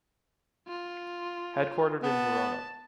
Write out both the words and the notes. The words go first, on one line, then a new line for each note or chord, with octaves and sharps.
Headquartered in Verona.
F4
B3 A5